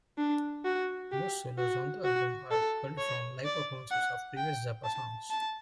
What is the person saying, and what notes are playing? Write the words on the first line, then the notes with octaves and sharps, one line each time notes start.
Most solos on the album are culled from live performances of previous Zappa songs.
D4
F#4
G4
F#4
F#4
A4
C#5
D5
F#5
G5
A5
A5